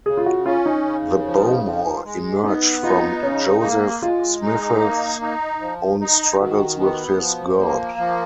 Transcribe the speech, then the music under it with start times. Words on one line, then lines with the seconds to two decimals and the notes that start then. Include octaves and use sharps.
The BoMor emerged from Joseph Smith's own struggles with his God.
0.06 C#3 G#4
0.17 F4
0.26 F#4
0.46 C#4 F4
0.66 D#4
0.85 C#3
1.25 F3
1.64 F3
2.05 G#3
2.44 B3 D#4
2.83 D#4 F4
3.23 C#3 C#4
3.63 A#3
4.02 G#3 F4
4.42 D#4
4.82 A#3
5.21 D#4
5.61 F3
6.01 D#4
6.40 D#3 F#4
6.80 B3
7.19 F3
7.59 A#3
7.99 F3